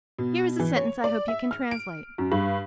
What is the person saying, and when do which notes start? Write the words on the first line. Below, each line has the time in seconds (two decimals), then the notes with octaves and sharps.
"Here is a sentence I hope you can translate."
0.18 B2
0.60 E3
0.76 C#5
1.04 D5
1.28 E5
1.51 F6
1.71 D7
2.18 F#2
2.32 G2